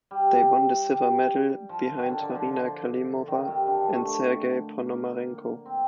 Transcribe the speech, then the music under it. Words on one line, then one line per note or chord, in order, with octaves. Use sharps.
They won the silver medal behind Marina Klimova and Sergei Ponomarenko.
G3
G3
F3
D#3
D3
D3
F3
D#3
C3
D3
F3
A3
A3
A#3
C4